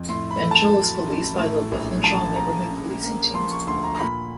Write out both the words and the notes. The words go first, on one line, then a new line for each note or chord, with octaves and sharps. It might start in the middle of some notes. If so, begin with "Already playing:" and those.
Benchill is policed by the Wythenshawe Neighbourhood Policing Team.
Already playing: F2
A2 C6
B5
A3
A5
F#3
A1
A2
A#1
F3 A5
A#1 A#5
C#3
A#3
F3 C6
C#6
D2 C6
A#5
A#5
A#2 B5